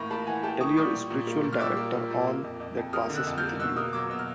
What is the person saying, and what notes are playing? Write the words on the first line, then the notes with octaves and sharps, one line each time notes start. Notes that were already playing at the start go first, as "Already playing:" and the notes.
Tell your spiritual director all that passes within you.
Already playing: A2 E3 A#3 A#5 B5 C#6
A#3 A5 B5
E3 F#5 G#5
A#3 G5 A5
E3 C#6 D#6
G3 C#6 D#6
A#2
A#2
A#3
A#2
F6
G3 D6 E6
A#3
A#2
A#2
A#3
F2
F2
F2
A#3 D#6 F6
D3
E6 F#6
F2
F6 G6
A#3
B2 E6 F#6
A#3 D#6 F6
F#3 D6 E6
B2 E6
F6